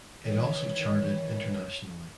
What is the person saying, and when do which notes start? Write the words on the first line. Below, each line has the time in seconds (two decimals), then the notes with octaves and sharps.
It also charted internationally.
0.24 D#3 E3 C#5